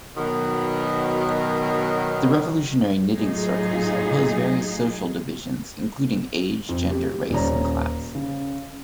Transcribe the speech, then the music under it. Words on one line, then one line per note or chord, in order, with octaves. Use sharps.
The Revolutionary Knitting Circles oppose various social divisions, including age, gender, race and class.
B2 D#3 F#3
A2 F#3 D#4 F4 G#4
F2
G4
D#1 C#4 D5 A#5
C#3